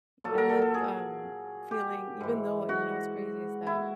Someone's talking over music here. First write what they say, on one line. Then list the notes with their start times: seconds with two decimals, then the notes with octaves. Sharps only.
I left, um, feeling even though you know what's crazy? Is that
0.24 A#2 F#3 A4
0.38 A#4
0.49 A4
0.62 A4
0.74 G#4
1.71 G4
2.21 G#2 E3
2.69 F#4
3.67 E4